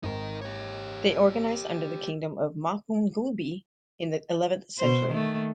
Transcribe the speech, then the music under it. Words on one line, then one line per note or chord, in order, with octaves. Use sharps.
They organized under the Kingdom of Mapungubwe in the eleventh century.
G#1 D#4 A#4
G4 C#5
B2 C5
D#3 A3